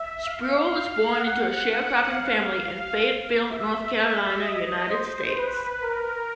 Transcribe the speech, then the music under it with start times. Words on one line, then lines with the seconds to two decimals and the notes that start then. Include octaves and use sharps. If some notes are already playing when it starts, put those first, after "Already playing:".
Spruill was born into a sharecropping family in Fayetteville, North Carolina, United States.
Already playing: E5
0.24 F5
0.71 F5
1.17 F#5
2.10 F5
3.49 E5
4.41 D#5
4.89 C5
5.34 B4
5.81 A#4